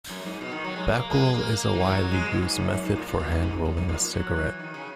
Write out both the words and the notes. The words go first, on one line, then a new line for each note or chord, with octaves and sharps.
Backroll is a widely used method for hand-rolling a cigarette.
F#2
G#2
B2
D#3
F#3
G#3
A#3
G#3
A#3
A#3
E3
F#3
F#3
G#3
B2
G#2
F#2
G#2
G#2
A#2
A#2
B2
G#2
G#2
F#2
G#2
A#2
B2
F#3
E3
D#3
C#3